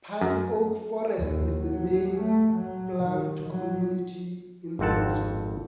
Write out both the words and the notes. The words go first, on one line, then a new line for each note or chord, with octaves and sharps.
Pine–oak forest is the main plant community in the region.
F#2
D#2
F#3
A3
F#3
D#3
F#3
G#1 F2 C4 F#5 A5